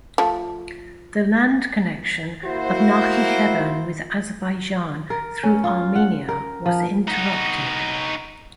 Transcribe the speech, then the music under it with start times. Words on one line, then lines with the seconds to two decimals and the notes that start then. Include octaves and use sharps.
The land connection of Nakhichevan with Azerbaijan through Armenia was interrupted.
0.18 F3 A3
2.44 A#3 E4 F#4 C5
5.10 A#4
5.43 C#4
5.64 F4
5.95 F#5
6.29 A#4
6.66 F3
7.08 D#4 F#4